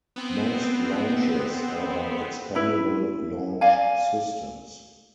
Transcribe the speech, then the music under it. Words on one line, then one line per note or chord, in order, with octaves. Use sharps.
Most launches are by expendable launch systems.
B3 C4
E4 B4
D5 F5 G#5